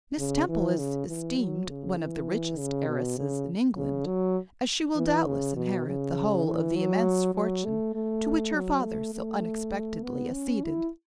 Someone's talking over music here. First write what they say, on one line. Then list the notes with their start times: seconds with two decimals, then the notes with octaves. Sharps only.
Miss Temple is esteemed one of the richest heiresses in England, as she will doubtless inherit the whole of the immense fortune to which her father so unexpectedly acceded.
0.19 C#3
0.49 E3
0.79 C#3
1.08 E3
1.38 F#3
1.68 C#3
1.98 E3
2.58 C#3
2.88 B2
3.17 C#3
3.77 C#3
4.06 F#3
4.96 E3
5.26 C#3
5.56 B2
5.86 C#3
6.45 E3
6.75 F#3
7.35 F#3
7.65 A3
7.94 A3
8.55 F#3
8.84 A3
9.14 A3
10.03 B3
10.33 C#4
10.63 E4